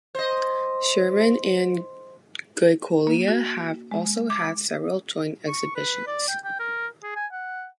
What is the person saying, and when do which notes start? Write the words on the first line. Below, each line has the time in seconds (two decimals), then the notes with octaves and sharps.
Sherman and Goicolea have also had several joint exhibitions.
0.15 C5 D#5
3.07 A#3
3.28 F#4
3.91 G#3
4.30 D6
5.48 C#6
5.76 B4
6.07 D5
6.29 G5
6.44 G5
6.59 A#4
7.03 G#4
7.15 G#5
7.32 F#5